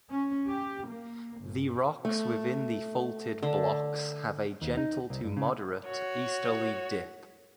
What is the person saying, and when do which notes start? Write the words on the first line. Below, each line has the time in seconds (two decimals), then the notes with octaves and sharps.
The rocks within the faulted blocks have a gentle to moderate easterly dip.
0.10 C#4
0.48 G4
0.88 A#3
1.41 G1
2.05 A3
3.43 D3
4.62 D#2
4.77 D#4
5.10 C2
5.24 G2
5.37 C#3
5.86 F#4 C#5